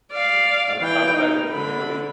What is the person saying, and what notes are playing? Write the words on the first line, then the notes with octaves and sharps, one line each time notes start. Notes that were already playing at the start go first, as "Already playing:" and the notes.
Out outside of the banana leaf?
D5 F5
E3 G5
D#4
D3 B5